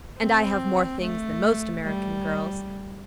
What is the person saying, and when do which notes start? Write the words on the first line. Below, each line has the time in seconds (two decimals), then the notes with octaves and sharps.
And I have more things than most American girls.
0.18 C4
1.01 A3
1.84 G3